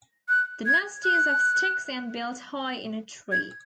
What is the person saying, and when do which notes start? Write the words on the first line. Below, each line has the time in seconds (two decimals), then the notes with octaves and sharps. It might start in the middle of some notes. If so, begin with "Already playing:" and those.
The nest is of sticks and built high in a tree.
0.29 F#6
0.67 G#6
1.04 F#6
3.32 G#6